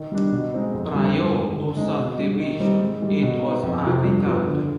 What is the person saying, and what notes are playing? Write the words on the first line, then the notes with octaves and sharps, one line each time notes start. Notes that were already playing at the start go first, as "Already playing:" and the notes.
Prior to subdivision, it was agricultural.
Already playing: D#3
G3 D4
B2
G#3 C4 D#4
F2
D3 G3
G2
D#3 G#3
D3
G#3 C4 D#4
B2
G3 D4
D#3
G3 C4 D#4
G#2
D#3 G3
B2
B3 D#4
F2
C3 F3
G2
F3 B3
D3